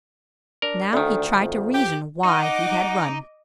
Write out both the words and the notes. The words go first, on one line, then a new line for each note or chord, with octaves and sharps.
Now he tried to reason why he had run.
D4 A#4
D2 D3 D#3
F2
G4
D#4 D#5 F#5 D6